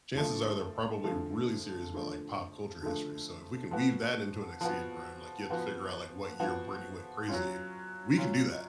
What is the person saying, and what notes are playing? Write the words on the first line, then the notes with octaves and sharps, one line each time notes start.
chances are they're probably really serious about, like, pop culture history, so if we can weave that into an escape room, like, you have to figure out, like, what year Britney went crazy, we can do that.
D3 F3 A3
D3 F3 A3
D3 F3 A3
D3 F3 A3
F3 B3 F#4
F3 B3 F#4
F3 B3 F#4
F3 B3 F#4
F#3 C#4 F4
F#3 C#4 F4